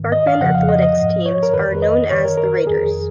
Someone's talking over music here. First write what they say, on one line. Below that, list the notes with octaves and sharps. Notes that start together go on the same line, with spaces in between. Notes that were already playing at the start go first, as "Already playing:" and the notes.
Sparkman athletics teams are known as the Raiders.
Already playing: G#2 D#3
D#5
F5
F2 C#3 F3 F#5
F5
D#5
D#5
G#2 F3
C#5
A#4
F2 D#3 B4
D#5
F#2 D#3 C#5
A#4
A#4
F2 D#3 G#4